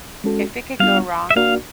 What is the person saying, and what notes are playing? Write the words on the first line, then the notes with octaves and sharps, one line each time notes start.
if it could go wrong,
G#3 C#4 F#4 A4
G3 B3 D4 F4 F5
E5
A#3 D4 F#4 A#4 D5 F5